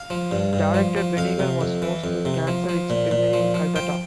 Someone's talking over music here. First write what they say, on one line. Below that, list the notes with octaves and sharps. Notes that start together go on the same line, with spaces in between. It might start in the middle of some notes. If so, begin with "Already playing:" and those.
Director Benegal was forced to cancel its premiere in Calcutta.
Already playing: F5
F3
G2
G2
F3
F3
F2 F5
C3
F2
E3
F2
C3
F3
F3
A#2
A#2
F3
F3
F3 G5